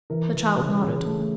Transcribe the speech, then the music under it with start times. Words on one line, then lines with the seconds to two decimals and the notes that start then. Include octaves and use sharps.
The child nodded.
0.10 E3 A#4
0.35 E3
0.58 C#3
0.83 C#3
1.06 A3